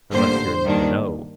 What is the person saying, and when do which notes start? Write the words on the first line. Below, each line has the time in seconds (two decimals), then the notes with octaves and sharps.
Unless you're in the know.
0.11 A1 G2 D3 G3 A#3 C5
0.65 G2 D#3 A#3 D4